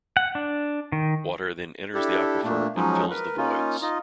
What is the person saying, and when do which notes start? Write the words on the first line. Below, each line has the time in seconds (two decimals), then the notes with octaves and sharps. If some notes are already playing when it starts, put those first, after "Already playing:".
Water then enters the aquifer and fills the voids.
0.17 F#5
0.35 D4
0.92 D#3
1.94 D4 E4 G4 A4
2.44 A#2 A3 A#3 D4
2.76 F3 F#3 G#3 C#4 D#4
3.10 A#4 B4
3.37 A#3 C#4 D#4 F4
3.82 D#4 F4 D#5